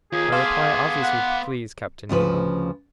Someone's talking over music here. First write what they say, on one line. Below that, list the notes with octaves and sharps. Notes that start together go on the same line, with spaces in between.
My reply obviously pleased Captain Nemo.
D#2 F4 G#4
B3 A4 F5 C6 D6
F#5
D2 C#3 F3 B4